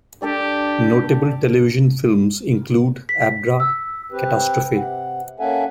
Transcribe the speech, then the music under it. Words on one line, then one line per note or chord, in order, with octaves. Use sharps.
Notable television films include Abra-Catastrophe!
D4 G4 A4 D5
B6
E6
C4 G4 B4
C3 F#5
A#3 C#4 A4 E5 F#5 G#5